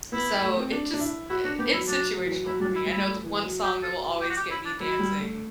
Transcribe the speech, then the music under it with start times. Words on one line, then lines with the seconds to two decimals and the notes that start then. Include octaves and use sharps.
so it just eh, it's situational for me. I know the one song that will always get me dancing,
0.12 B3 E4
0.42 A3
0.56 C4
0.72 D4
0.93 D4
1.00 E4
1.29 E4 F#4
1.44 D4 F#4
1.58 B3 G4
1.73 F#3 E4
1.88 F#3 D4
2.16 F#3
2.25 E3
2.32 F#3
2.46 F#3 E4
2.60 G3 D4
2.65 F#3
2.75 E4
2.85 G3
2.90 E4
2.96 G3
3.05 A3
3.24 E3
3.43 F#3
3.63 G4
3.82 A4
4.21 G4
4.29 F#4
4.36 G4
4.51 E4
4.65 D4
4.80 F#3 E4
4.99 G3
5.19 A3